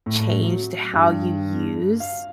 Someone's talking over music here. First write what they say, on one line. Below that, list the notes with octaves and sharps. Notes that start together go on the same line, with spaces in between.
changed how you use,
A2
F#3
G2
F5